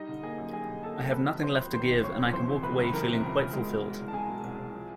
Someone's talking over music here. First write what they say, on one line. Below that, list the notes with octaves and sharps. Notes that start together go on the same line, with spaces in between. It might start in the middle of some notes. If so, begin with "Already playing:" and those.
I have nothing left to give and I can walk away feeling quite fulfilled.
Already playing: G3 D#4 D#5
D3
A#3 G#4 G#5
F#2
G3 G#4 G#5
D3
A#3 A4 A5
F#2
D#3 B4 B5
C3
F#3 C5 C6
F2
D#3 C5 C6
C3
F#3 C#5 C#6
F2
E3 C5 C6
C3
C#2 B4 B5
C#2
B5
E3 A#4 A#5
C3
C#2
C#2
G#3
B2
C2
C2
A5
G#3 G#4 G#5
B2
C2
C2
F3